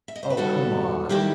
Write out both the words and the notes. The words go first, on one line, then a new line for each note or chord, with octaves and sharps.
Oh, come on.
E5
D#5
C5
B4
D#3 G3 F#4 A4
D#3 G3 E4 G4